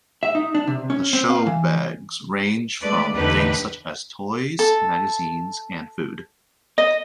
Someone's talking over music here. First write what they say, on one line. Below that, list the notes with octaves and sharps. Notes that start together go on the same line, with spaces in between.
The showbags range from things such as toys, magazines, and food.
E5
D#4
D4
C3
C#4
C4
F5
E3
G#3 A3 D4 B4 D5
E2 A2 D3 D#4 G4 B4
A4
D#5